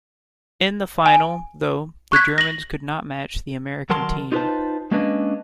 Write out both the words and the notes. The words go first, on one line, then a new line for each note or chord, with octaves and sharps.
In the final, though, the Germans could not match the American team.
G#5
C#6 F#6 G#6 B6
A#6 F#7
D#3 F#3 A#4 A5 C6
D#4 F4 G4 B4 C5 A5
G#3 A#3 C#4 D4 B4 D#5